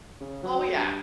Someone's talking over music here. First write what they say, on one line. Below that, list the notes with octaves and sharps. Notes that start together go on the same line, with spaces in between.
Oh, yeah.
C#3
F#3
G2